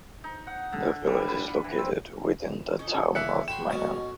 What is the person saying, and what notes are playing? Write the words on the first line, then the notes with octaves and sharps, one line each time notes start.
The village is located within the Town of Minong.
D#4
F#5
D3
G3
B4
E3
C4
C#4 D#4 A4
E2 C#3 A#3 E5 F#6 C#7
A2 F#3 F#4 G5 B5 C6 E7
B2 C#4 D#5